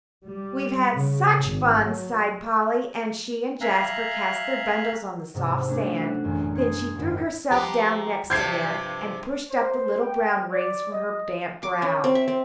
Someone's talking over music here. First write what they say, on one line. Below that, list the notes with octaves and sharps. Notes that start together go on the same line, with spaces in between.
"We've had such fun," sighed Polly, and she and Jasper cast their bundles on the soft sand; then she threw herself down next to them, and pushed up the little brown rings from her damp brow.
G3
C#3
G#1
F#3
E5 F5 G#5 A#5 F#6
G#2 C3
A3 C#4 D4
F#4
E1 A1 F#2
C6 D#6 G#6 C#7
G#1 F#2
F3 G4 A#5
G2 C3 F3 G6 G#6 C7
C5
G5
D5
D#5
D6
C#4
C4
E5
C4